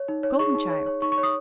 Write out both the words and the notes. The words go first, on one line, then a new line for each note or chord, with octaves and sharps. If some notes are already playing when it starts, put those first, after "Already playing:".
Golden child.
Already playing: C#5
D#4
C#5
G#4 C#6
D#4
C#5
C#5
D#4 C#6
C#6
C#5
D#6